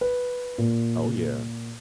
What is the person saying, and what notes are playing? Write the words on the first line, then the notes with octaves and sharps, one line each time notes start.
Oh, yeah.
B4
A#2